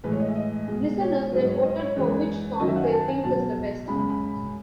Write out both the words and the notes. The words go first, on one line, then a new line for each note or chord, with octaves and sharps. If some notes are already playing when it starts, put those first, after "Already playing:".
Listeners then voted for which song they think is the best.
A2 E3 G#3 B4
C#5
D#5
E5
D#5
B2 G#3
C#5
G#2 F#3 B4
D#5
C#5
D#5
C#5
F#2 E3 G#3
F#2 D#3 F#3 D#5
E5
F#5
G#5
A5
G#5
E2 B2 F#3 A5
F#2 C#3 G#3 B5
B5
B5